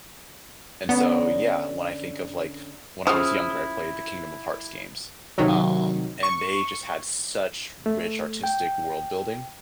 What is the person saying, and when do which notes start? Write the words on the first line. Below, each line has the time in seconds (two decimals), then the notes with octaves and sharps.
and so, yeah, when I think of like, when I was younger, I played the Kingdom of Hearts games, um, and they just had such rich artistic world building,
0.89 D3 B3 C#4 A#5
3.07 C#3 F3 E4 D#6 F6
5.38 C3 D#3 F#3
6.23 C#6
7.86 A3
8.44 G5